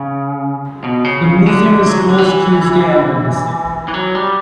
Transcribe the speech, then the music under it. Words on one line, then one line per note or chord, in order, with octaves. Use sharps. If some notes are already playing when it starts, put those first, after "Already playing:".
The museum is closed Tuesday and Wednesday.
Already playing: C#3
B2
C#3
C#3
D3
F#3
E3
D3
E3
E3
F#3
G3